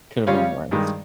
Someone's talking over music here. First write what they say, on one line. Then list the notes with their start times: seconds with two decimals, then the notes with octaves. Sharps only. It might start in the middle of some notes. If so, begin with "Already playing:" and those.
could have been worse.
0.27 C#3 G3 C#4 F4 C#5 F5
0.71 G2 D#3 G#3